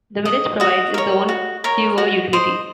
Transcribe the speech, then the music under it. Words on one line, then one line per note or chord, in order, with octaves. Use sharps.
The village provides its own sewer utility.
D#5
F#4 D#5
A#4 C#5
F#4
A#4 C#5
F#4
C5 D#5